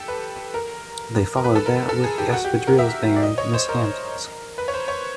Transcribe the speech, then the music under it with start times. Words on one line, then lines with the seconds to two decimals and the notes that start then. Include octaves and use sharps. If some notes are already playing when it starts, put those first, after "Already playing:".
They followed that with the espadrilles brand, Miss Hamptons.
Already playing: G4 A4
0.08 B4
0.54 A#4
1.37 A#4
1.44 B4
1.55 A4
1.66 A#4
1.89 A4
2.04 G#4
2.18 G4
2.33 F#4
2.45 G4
2.67 A#4
2.79 E5
3.16 D5
3.23 D#5
3.38 C#5
3.53 C5
3.69 A#4
4.58 B4
4.68 C#5
4.74 C5
4.88 C#5